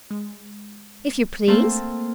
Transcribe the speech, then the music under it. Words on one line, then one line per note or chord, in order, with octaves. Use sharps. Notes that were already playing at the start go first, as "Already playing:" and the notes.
"If you please."
G#3
A3 A#3 C4 A4